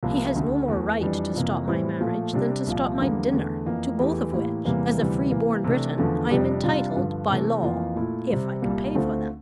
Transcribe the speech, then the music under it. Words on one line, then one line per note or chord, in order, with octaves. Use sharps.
He has no more right to stop my marriage than to stop my dinner, to both of which, as a free-born Briton, I am entitled by law, if I can pay for them.
C2 C3 F3 A#3
D2 D3 A3
E2 E3 A3
F2 E3 G3 D4
F2 C3 E3 A#3
A2 E3 G3 C4 E4
A#2 F3 A3
C3 G3 D4 G4
C2 A#2 F3
E2 D3 G3 A#3
E2 D3 A3
F2 E3 A#3
E2 E3 A3 E4 G4
A2 E3 A#3 E4 G4
E2 C3 E3 G3 A#3
D2 C3 E3 G3
C3 E3 A#3
C3 E3 A3 D4
E2 D3 F3 A3
F2 C3 G3 D4 G4
C3 G3 D4 F4
G2 D3 F3
C3 E3 A3
F2 E3 A#3 F4
A#2 A3 E4
C3 G3 C4
C2 A#2 G3 A#3
D2 D3 A3 C4 F4